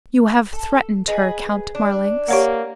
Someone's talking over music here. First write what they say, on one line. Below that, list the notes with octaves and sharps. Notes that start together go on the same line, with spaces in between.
"You have threatened her, Count Marlanx."
A4
G#4 B4 D#5
D4
A#3 G4 C#5 F#5